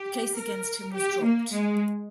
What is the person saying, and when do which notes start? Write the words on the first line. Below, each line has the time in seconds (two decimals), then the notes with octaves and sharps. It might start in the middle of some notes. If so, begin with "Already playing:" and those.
The case against him was dropped.
Already playing: G4
0.37 A#4
0.95 G4
1.25 A#3
1.53 G#3